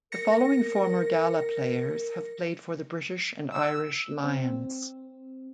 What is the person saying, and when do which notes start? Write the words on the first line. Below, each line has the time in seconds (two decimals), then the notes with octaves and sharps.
The following former Gala players have played for the British and Irish Lions.
0.12 A#4 A#6 C#7
3.52 E6
4.24 C4